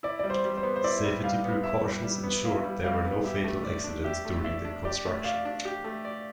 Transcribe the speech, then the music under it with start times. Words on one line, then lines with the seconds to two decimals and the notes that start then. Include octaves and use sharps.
Safety precautions ensured there were no fatal accidents during the construction.
0.03 E4 D5
0.19 G3 D5
0.30 C5
0.44 G3
0.57 C5
0.63 B3
0.76 C5
0.84 E4 D5
1.03 G3
1.24 G3 F5
1.45 B3
1.63 E4 E5
1.83 G3
2.04 G3
2.23 B3
2.44 E4 F5
2.64 G3
2.84 G3 F5
3.05 B3
3.25 G4 E5
3.44 A3
3.65 D5
3.84 D4
4.04 G4 E5
4.25 A3
4.44 D5 E5
4.65 D4
4.85 G4 D5
5.05 A3
5.24 D5 F5
5.45 D4
5.65 G4
5.84 A3
6.05 D5